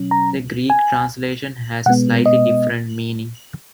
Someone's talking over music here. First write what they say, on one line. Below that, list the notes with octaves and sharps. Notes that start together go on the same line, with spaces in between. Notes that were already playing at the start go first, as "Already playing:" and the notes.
The Greek translation has a slightly different meaning.
Already playing: B2 F#3 C#4
A#5
G#5
B2 G#3 B3 F#5
D#5